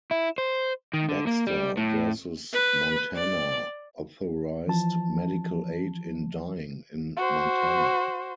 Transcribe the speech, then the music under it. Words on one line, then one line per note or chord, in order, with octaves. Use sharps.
Baxter versus Montana authorized medical aid in dying in Montana.
E4
C5
D#3
D3
A#3
G3
A2
B4
D5
E3 F3 A5
F#4 C5